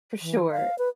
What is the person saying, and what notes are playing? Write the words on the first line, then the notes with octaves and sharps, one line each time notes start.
For sure.
E3
F5
B4